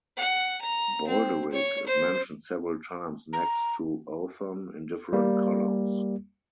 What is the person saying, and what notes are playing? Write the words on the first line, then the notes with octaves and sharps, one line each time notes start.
Baldéric is mentioned several times next to Othon in different columns.
F#5
A#5
C4
C#5
C5
A#5
G3 A#3